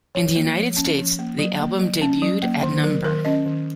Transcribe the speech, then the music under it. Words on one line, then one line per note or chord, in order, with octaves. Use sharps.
In the United States, the album debuted at No.
F3 C#5
A#3
F3
C#4
F3
A#3
F#3
A#3
F#3
C#4
F#3
A#3
D#3 C5
F#3 A#4
D#3 A#4
C#4 D#5
D#3